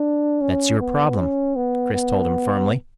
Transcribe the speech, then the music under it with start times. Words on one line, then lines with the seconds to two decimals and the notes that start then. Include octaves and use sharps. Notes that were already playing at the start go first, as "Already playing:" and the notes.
"That's your problem," Chris told him firmly.
Already playing: D4
0.41 C#4
0.80 B3
1.18 C#4
1.56 B3
1.94 B3